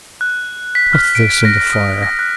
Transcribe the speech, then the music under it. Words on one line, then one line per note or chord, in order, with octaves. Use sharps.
"Put this in the fire."
F#6
B6
F6
D7
A#6
D#6
A#6
F#6